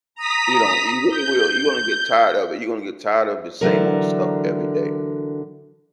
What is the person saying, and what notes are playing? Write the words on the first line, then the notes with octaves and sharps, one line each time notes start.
You know, you really will. You're gonna get tired of it. You're gonna get tired of the same old stuff every day,
A#5 D#6 B6
G6
D3 E3 F#3 A#4